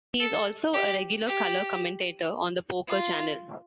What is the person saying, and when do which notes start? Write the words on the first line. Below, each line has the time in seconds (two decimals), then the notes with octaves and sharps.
He is also a regular color commentator on "The Poker Channel".
0.20 A4
0.74 G4
1.27 G4
2.88 F4